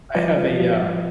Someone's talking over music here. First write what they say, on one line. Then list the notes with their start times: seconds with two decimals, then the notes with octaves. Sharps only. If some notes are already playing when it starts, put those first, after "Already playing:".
I have a, uh
0.14 F3 B4 D5
0.37 F3
0.60 F3
0.82 F3